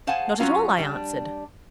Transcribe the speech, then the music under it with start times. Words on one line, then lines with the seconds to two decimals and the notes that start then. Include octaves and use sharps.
'Not at all,' I answered.
0.07 G#4 C5 F5 F#5 G#5 A5
0.39 F#3 C#4 F4 F#4 F5 A#5
0.78 G3 D4